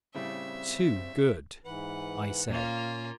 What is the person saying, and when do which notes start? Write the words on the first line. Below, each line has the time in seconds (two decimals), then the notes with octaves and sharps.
"Too good," I said.
0.15 A2 C#3 G3 C4 E5
1.65 G#2 E3 B4 F#5
2.49 A#2 A#3 C#4 F4